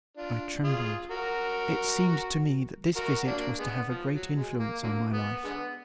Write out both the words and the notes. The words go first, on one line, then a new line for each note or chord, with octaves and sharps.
I trembled; it seemed to me that this visit was to have a great influence on my life.
D4 F4
F4 G#4
F#4 A#4
F#4 A#4
A#3 D4
D3 G#3 B3
F3
F#3
G#3
A#3
D3 F#3 A#3
B3
D3 G#3 B3